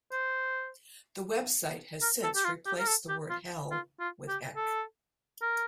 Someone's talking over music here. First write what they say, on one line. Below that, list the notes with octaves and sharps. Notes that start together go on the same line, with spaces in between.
The website has since replaced the word 'hell' with 'heck'.
C5
A#4
A4
G4
F4
G4
A#4
A4
G4
F4
F4
F4
G4
A4
A#4